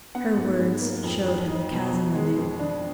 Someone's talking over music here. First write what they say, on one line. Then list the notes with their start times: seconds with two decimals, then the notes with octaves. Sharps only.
Her words showed him the chasm anew.
0.15 B3 F#5
0.37 G#2
0.60 G#2
0.82 A#3
1.04 F2
1.26 F2
1.49 D#4
1.71 B2
1.93 B2
2.15 G#3
2.38 F2
2.59 D4